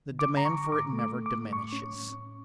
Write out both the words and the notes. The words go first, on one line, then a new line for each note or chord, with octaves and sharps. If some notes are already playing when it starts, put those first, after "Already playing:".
The demand for it never diminishes.
D3
D6
D3 A#5
C#6
D3
A2 D6
A3
D6
A3
D6
A3
A2 C#6
C#4
A2
C#4